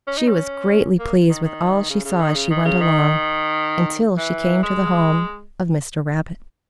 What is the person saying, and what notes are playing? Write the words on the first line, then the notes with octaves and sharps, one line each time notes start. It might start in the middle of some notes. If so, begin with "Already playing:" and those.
She was greatly pleased with all she saw as she went along, until she came to the home of Mr. Rabbit.
C#4
D#4
C#4
A#3
D#3
D#3
C#3
C#3
D#3
C#3
D#3
C#3
D#3
E3
G#3